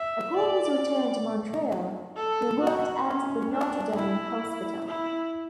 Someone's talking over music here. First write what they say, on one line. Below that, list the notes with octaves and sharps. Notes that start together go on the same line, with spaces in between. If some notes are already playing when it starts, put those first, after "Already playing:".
Upon his return to Montreal, he worked at the Notre-Dame Hospital.
Already playing: E5
D5
A4
F#4
C#4
D4
E4
E4